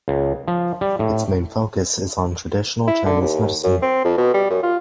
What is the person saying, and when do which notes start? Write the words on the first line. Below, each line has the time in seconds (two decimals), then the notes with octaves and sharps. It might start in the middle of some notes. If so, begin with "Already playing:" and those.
Its main focus is on traditional Chinese medicine.
0.08 C#2
0.48 F3
0.81 G3
0.99 A2
2.87 E4
3.05 D3
3.21 D#2
3.63 F#2
3.82 C4
4.04 F2
4.17 B2
4.34 G3
4.50 F#2
4.63 F4